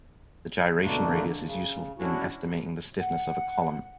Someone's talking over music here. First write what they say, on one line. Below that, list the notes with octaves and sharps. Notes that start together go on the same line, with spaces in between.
The gyration radius is useful in estimating the stiffness of a column.
F2 B2 D3 A3 A#3 D4
C#3
C#4 D4 E4 F#4
F#5